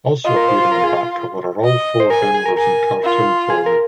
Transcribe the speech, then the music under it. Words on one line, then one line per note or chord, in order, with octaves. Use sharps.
Also appearing on the back cover are all four members in cartoon form.
F4 D#5
A#4
C5
C5
A#4
G#4
D#5
C5
A#4 G#5
G#4
G#4
A#4
A#4 G#5
F4
G#4
A#4